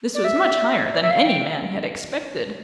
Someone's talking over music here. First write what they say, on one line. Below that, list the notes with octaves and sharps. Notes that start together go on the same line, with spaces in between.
This was much higher than any man had expected.
D5
E5
D5
E5
F5
G5